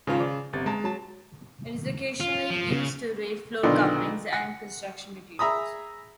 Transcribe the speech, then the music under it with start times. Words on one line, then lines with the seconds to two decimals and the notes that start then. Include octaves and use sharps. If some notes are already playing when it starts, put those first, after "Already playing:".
It is occasionally used to rate floor coverings and construction materials.
0.07 G#2 C#3 F3 F4
0.20 D5
0.53 G1 C3 A6
0.66 G#3 A5 A#5
0.84 F#3 A5
2.20 F4
2.50 F3
2.70 C#3
3.63 B1 D3 D#3 B3 D4 F4
4.33 F#5
5.39 G#4 E5 A#5 B5 D#6